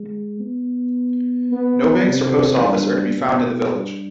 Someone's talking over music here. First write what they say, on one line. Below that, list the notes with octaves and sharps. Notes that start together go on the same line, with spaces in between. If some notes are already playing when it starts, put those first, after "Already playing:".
No banks or post office are to be found in the village.
Already playing: G#3
B3
B3
C3
G2
B2
G2